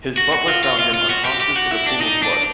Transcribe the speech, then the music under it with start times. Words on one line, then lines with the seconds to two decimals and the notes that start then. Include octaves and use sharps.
His butler found him unconscious in a pool of blood.
0.18 F#4
0.33 F#4
0.48 F4
0.63 F4
0.79 F4
0.94 F4
1.10 F#4
1.25 G4
1.40 G4
1.56 F#4
1.71 E4
1.86 D4
2.01 D#4
2.23 D4